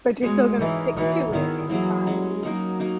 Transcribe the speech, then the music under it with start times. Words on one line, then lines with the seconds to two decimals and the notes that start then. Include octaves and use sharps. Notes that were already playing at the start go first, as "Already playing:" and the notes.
But, you're still gonna stick to it and find,
0.23 G#3 B3 F#4 C#5
0.59 E3 G#3 D#4 A#4 C#5
0.96 E3 A#3 D#4 F#4 C#5
1.33 D#3 B3 E4 G#4 C#5
1.69 E3 F#3 A#3 E4 G#4
2.06 G#3 C#4 F#4
2.43 F#3 A#3 D#4 F#4 A#4
2.80 A#3 D#4 F#4